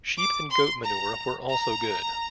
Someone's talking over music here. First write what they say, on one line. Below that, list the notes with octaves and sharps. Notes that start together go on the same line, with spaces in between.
Sheep and goat manure were also good.
D6
C6
A#5
A#5